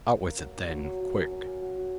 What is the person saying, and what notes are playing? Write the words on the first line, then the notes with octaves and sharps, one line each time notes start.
'Out with it then, quick!
A#3
F#3
A#3
F#3
F#3
F#3
C#4
F#3
C#4
F#4
F#4